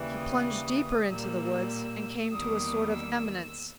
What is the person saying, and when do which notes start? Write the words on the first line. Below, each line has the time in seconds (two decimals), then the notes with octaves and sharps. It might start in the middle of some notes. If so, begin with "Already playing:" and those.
He plunged deeper into the woods and came to a sort of eminence.
Already playing: D#2 C#3 E3 G3
0.19 D#6
1.09 A#2 G3 A#3 E6
2.30 E2 D#3 G3 A#3 D#6
2.92 E6